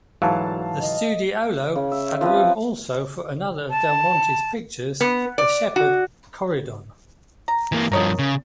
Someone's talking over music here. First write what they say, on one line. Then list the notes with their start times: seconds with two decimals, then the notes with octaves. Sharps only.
The studiolo had room also for another of Del Monte's pictures, the Shepherd "Corydon".
0.22 D2 G#2 E3 F#3 F5 A5
0.80 D#5
1.75 C#3
1.92 E5
2.21 F3 C4 B4
3.70 A5
5.01 B3
5.38 D5
5.76 F#4
7.48 A#5
7.72 E3 A#3
7.92 G2 F3 A#4 C#5 D#5
8.19 C#3